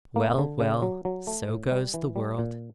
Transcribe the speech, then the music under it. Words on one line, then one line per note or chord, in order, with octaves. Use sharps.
Well, well! so goes the world!'
A#3
D3
C#3
F#3
F#3
A3
A2
G3
E3
G3
A#2